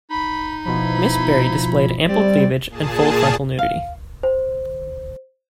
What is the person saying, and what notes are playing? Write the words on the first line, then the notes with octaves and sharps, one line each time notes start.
Miss Barrey displayed ample cleavage and full frontal nudity.
D#4 B5
B2 F3 E4 B5
G3 C4 D5
A#2 G#4 A5
F5
C5